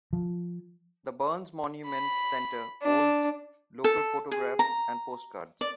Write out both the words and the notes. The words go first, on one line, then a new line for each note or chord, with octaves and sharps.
The Burns Monument Centre holds local photographs and postcards.
F3
B5
D4
A4
G#4
A#5
D5